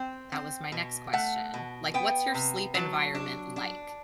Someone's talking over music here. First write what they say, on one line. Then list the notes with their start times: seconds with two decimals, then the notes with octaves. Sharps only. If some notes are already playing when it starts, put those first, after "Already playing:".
That was my next question. Like, what's your sleep environment like?
Already playing: C4 G5
0.32 C4
0.72 B2
1.13 A3 F#5
1.54 B2
1.94 B3 G5
2.34 C3
2.74 F#3 A5
3.15 D4
3.56 D4